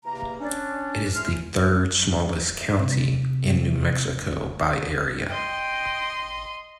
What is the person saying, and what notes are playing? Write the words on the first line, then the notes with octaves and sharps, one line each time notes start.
It is the third-smallest county in New Mexico by area.
E2 C3 A#3 A#5
C#4 D4
E2 E3 C#4 C6 F6
C3 C4
D#5 G5 C6